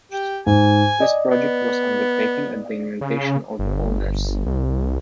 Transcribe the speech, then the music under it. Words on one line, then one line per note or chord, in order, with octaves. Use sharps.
This project was undertaken at the invitation of the owners.
G4
G#2 G#5
D5 D#5
B3
C#3
G1
C2